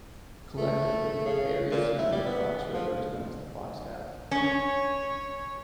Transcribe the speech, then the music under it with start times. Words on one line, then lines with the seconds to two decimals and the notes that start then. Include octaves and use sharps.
Collectively, the area surrounding the Fox River is known as the Fox Valley.
0.57 A3
1.25 C#3
1.71 A#2
1.98 E4
2.12 G3
2.26 B3
2.74 F3
4.31 C#4 C#5